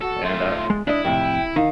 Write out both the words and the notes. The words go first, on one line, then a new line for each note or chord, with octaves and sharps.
And, uh
F#4 A4
A3 F4 C6
G#3
D4 E4 D#5
F2 A2 C3 G5
D#3 D#4 F5